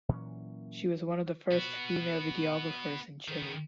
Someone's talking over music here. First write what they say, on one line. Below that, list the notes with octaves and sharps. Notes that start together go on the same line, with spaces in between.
She was one of the first female videographers in Chile.
A#2 E3 F#3 C#4
B3 F#4
D#3 B3